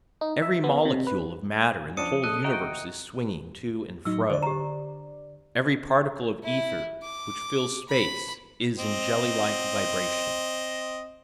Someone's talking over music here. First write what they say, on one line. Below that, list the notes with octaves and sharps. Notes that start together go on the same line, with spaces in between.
Every molecule of matter in the whole universe is swinging to and fro; every particle of ether which fills space is in jelly-like vibration.
D#4
E5
B3
C3
B4
F3 C#4 D4 D#6 C#7 D#7
A4 D#5 F#6
F#4 D#5 E5 G5 A#5
A2 F#3 D#4 E6
D3 C5 D5
G4 A#5
E4
D6
B5
C4 D#5